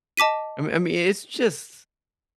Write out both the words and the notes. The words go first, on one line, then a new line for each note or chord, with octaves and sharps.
I me I mean, it's just
D#5 A5 D6 B6 D#7